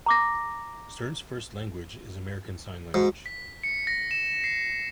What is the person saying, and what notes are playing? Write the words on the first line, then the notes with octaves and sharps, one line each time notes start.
Stern's first language is American Sign Language.
A#5 D6 A#6
G#2 F#4
B6
C#7
A#6
E7
C7